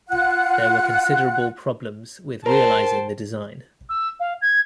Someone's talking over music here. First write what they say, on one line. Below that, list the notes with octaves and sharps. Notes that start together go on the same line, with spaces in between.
There were considerable problems with realising the design.
F4 F#5 F#6
A#4 C5 G5 A5
E6
F5
G#6